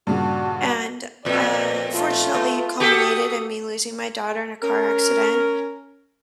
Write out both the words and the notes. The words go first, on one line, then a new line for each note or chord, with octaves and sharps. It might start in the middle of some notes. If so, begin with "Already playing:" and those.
and, uh, unfortunately, it culminated in me losing my daughter in a car accident,
G2 A#2 C#3 F#4
F2 A#2 D5
A3 F4
B3
F#4 G4 A4 D#6
C#4 A#4